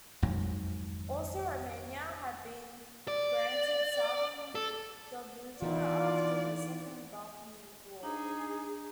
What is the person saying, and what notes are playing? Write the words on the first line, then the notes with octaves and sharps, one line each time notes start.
Also Romania had been granted Southern Dobruja after the Second Balkan War.
G#1 F2 G#2 F#3
D5
A4
B2 D#3 E3 B3 F4 D5
D4 D#4 G#4